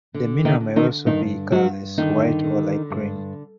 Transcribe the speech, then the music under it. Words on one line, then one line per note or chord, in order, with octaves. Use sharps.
The mineral may also be colorless, white, or light green.
D3
D#3 D#4
D3
D#3 D#4
G2 D#3 D#4
G2 F#3 F#4
D3 D#3 D#4
D3
G2